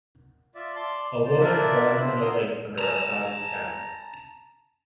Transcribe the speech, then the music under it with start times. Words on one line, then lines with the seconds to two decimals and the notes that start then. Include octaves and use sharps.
A woman runs in a lake under a cloudy sky.
0.55 F4 D5 E5
0.76 D5 A5 C6
1.25 C5 D5
1.40 D4 E4 F4 A#4 D5 E5
1.96 C4 D4 C5 B5
2.21 B3 E4 A#4 C6 D#6 E6
2.79 A5 A#5